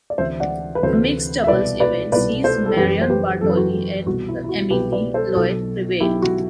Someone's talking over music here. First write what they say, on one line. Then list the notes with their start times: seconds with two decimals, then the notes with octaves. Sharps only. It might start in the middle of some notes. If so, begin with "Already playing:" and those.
The mixed doubles event sees Marion Bartoli et Émilie Loit prevail.
0.10 D5
0.18 D2 C3 E3 C5 E5
0.40 D5 F#5
0.75 B4
0.83 D2 C3 E3 A4 C5
1.44 E5
1.47 C2 B2 B4 D5
1.80 B4 D5
2.12 C2 B2 B4 D5
2.44 A4 C5
2.66 A4
2.76 F#1 F#2 E3 G4 B4
3.02 C5
3.10 G4 B4
3.41 F#1 F#2 E3 A4
3.50 B4
3.56 F#4 A4
4.06 C2 B2 F#4
4.28 E4
4.44 E4
4.49 F#4
4.70 C2 B2 G4 B4
4.92 B4 D5
5.14 A4 C5
5.35 B1 B2 F#4 A4
6.00 B1 B2 E4 G4
6.22 F#4